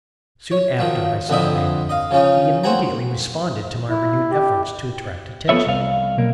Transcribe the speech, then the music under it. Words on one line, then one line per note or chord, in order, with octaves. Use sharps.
Soon after I saw a man; he immediately responded to my renewed efforts to attract attention.
C#5
D#3 F3 F#3
F2 D3 C4 E4 D#5 E5
D#5 F5
C#3 F3 C#4 D#4
C4 F#4 C5 F#5 G#5 A#5
E4
G4
B3 F4 A4 B4 C#5 E5
C2 F5
B1 A#3